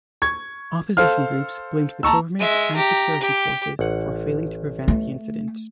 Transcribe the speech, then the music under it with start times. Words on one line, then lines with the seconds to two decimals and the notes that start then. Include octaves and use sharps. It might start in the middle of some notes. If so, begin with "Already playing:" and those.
Opposition groups blamed the government and security forces for failing to prevent the incident.
0.22 C#6 G#6
0.97 A4 C5 F5 F6
2.03 A5 A#5 C#6 E6
2.39 G#3 E5
2.75 G4 A#5
3.21 G4
3.79 A1 F#5
4.88 A3